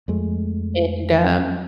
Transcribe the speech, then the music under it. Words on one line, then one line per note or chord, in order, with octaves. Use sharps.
and, um
F2 G#3 A3